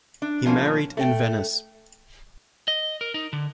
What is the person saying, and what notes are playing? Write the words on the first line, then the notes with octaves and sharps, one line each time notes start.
He married in Venice.
D4
B2 F3 A#3 C#4
A3 G5
D#5
A#4
D#4
D3